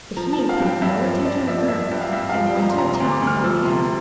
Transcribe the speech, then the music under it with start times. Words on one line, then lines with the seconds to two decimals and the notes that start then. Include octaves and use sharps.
But he paid no attention to her, and went to a town to sell the hair.
0.17 F3 A#5
0.33 A5
0.39 F3
0.49 F5
0.60 G2
0.66 G5
0.82 G2 E5
1.04 F3
1.25 F3 D5
1.47 F3 E5
1.58 D5
1.68 F3 E5
1.80 E5
1.92 G2
2.01 F5
2.13 G2 E5
2.29 F5
2.35 F3
2.46 G5
2.56 F3
2.62 A#5
2.70 C6
2.78 C3 A#5
2.94 C6
3.00 D2
3.11 D6
3.22 D2
3.27 F6
3.44 F3 E6
3.65 C3 C6